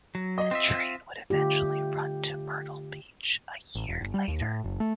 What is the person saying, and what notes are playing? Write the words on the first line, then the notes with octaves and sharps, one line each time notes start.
The train would eventually run to Myrtle Beach a year later.
F#3
D#5
C4 F4 E5
D3 A3 F4 G4
A1
E1
G1
G3
D#2
A2
F#1
A3